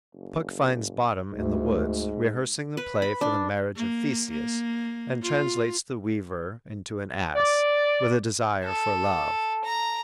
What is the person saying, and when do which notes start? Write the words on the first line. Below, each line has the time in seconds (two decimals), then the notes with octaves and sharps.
Puck finds Bottom in the woods, rehearsing the play for the marriage of Theseus, and translates the weaver into an ass, with a desire for love.
0.14 F#1
1.32 D2 G#2
2.77 B4
3.02 B5
3.21 D4
3.76 A#3
4.31 A#3
5.23 F4
7.35 D5
8.64 A4
9.64 A#5